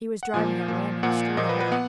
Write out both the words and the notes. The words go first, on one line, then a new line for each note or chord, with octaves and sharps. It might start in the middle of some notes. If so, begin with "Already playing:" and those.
He was driving at random, straight ahead.
F#5
A#2 F3 A#3 G#5
A#2 F3 A#3
A#2 F3 A#3 F#5
A#2 F3 A#3 D#5
B4
B4
B3 F#5